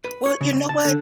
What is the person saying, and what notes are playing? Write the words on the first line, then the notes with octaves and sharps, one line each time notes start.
Well, you know what?
B4
C#5
C#3
A5
D3